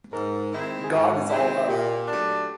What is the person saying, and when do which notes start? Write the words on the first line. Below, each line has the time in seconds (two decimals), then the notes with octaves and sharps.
God is all love.
0.12 G#2 A#4
0.51 D#3 G#3 C4 E4
0.84 G#4
0.90 G#2 A4
1.29 D#3 G#3 C4 E4
1.43 G#4
1.69 A#2 G4
2.08 F#3 A3 D4